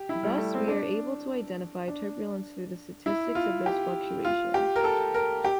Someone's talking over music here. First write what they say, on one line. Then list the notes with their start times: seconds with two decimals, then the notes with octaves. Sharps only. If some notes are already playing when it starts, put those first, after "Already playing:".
Thus, we are able to identify turbulence through the statistics of those fluctuations.
Already playing: G4
0.09 E4
0.23 G3
0.38 A3
0.54 C4
0.68 D4
1.88 D4
3.06 E4
3.35 F4
3.66 G4
4.25 F4
4.54 G4
4.76 A#4
4.84 A4
5.14 A#4
5.44 G4